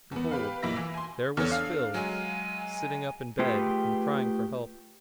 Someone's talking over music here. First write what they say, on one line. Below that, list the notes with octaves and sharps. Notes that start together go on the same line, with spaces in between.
Behold--there was Phil, sitting up in bed, and crying for help.
E2 B3
G4 B4 F5
B1 A#2 A#3 E4 E5 A#6
E3
G#5 C6
E2 A4 C#5 F6
D4 F5
F#3 G#3 G#5
A3 F4 G4 G#4 B4